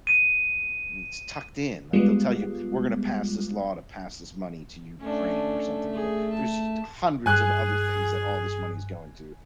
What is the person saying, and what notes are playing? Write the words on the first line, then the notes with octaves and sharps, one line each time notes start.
It's tucked in like they'll tell you we're going to pass this law to pass this money to Ukraine or something, but there's us hundreds of other things that all this money is going to,
D#7
G3 G#3 B3 F4
A3 C#4 D4
G#4
A5
G2 G#4 G#5 F#6